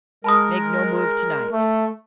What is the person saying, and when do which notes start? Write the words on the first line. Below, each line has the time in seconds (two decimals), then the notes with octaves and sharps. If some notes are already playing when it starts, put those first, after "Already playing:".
Make no move to-night.
0.24 G#3 A#4 A5 B5 D#6
1.52 A3